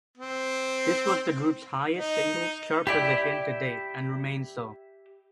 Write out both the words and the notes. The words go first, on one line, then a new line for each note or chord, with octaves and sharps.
This was the group's highest singles chart position to date and remains so.
C4
D#4
E4 G4 D5 E5 G5